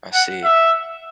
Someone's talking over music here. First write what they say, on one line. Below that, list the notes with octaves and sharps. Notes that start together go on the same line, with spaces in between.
I see.
F#5
E5